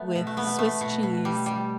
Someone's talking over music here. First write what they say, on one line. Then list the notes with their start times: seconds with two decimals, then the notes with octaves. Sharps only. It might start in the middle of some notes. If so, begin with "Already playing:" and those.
with swiss cheese,
Already playing: A3 B3
0.16 B2
0.27 A3
0.37 A3 B3
0.59 A3
0.81 B2
1.03 B2
1.25 G3
1.46 G3